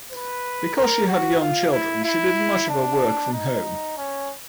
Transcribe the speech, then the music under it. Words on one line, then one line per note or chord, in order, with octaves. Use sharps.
Because she had young children, she did much of her work from home.
B4
A#4
F#4
F4
E4
E4
D4
D#4
C#4